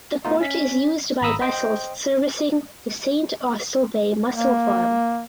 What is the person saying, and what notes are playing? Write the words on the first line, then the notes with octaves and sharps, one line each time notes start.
The port is used by vessels servicing the St Austell Bay Mussel Farm.
A3 B3 D#4 F4
C#4 B6
G#1 A#5 B5 D#6 E6
C5 D#5 G5
A#3